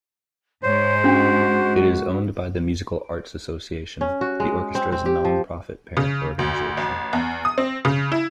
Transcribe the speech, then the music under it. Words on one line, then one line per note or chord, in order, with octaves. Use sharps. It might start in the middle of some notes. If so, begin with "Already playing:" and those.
It is owned by the Musical Arts Association, the orchestra's non-profit parent organization.
G#2 G#3 C5 C#5
C#4 D4 F#4
C#4
F#4
G#3
C4
C4
G4
F3
C#3
D2
A1
E2
D#6
C4
C#3
E4